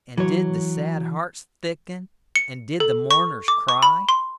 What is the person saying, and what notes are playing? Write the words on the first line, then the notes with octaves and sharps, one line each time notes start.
And did the sad hearts thicken, And did the mourners cry?
E3 F#3 C#5
C#7
A4
C#6
D6
C#6
B5
C6